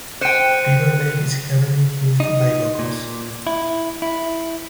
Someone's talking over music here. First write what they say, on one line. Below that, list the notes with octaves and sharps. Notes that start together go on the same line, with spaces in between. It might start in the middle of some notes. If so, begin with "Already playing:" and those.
Beaver Lake is heavily fished by locals.
C5 G5 F#6 C#7 D#7
D#4
A#2
E4
E4